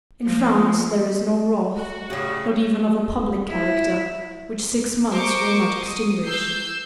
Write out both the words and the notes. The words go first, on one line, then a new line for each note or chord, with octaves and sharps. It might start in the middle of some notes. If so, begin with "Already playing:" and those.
In France, there is no wrath, not even of a public character, which six months will not extinguish.
F3 A#3
F#4
A2 C#3 A3 G4
E4
A#4 C5 C#6 D6
D#6
E6 G6 C7